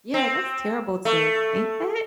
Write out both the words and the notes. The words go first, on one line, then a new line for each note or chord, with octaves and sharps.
Yeah, that's terrible to think that.
C4
A3